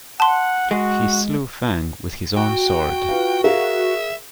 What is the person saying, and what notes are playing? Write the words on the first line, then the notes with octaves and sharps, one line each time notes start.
He slew Feng with his own sword.
F#5 A5 C6
G#3 F#4
F#4 G5
F4 B4 F5
G#4 A#4 E5 F5